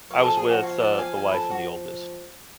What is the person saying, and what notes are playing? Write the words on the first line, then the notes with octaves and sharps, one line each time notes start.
I was with, uh, the wife and the oldest,
F3 C#5 F5
G#4
A4
G#4
F#4
C#5 F5
D5 F#5
F5 G#5
F3 F5 G#5
B4
A4
F#4